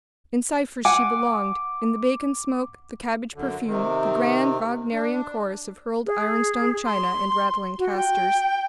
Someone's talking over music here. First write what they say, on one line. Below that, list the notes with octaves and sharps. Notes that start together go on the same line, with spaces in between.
In Cypher's she belonged--in the bacon smoke, the cabbage perfume, the grand, Wagnerian chorus of hurled ironstone china and rattling casters.
F#5 G#5 D6
F#2 D3
C3 D#3
D4
G#4
C6
F#4
G5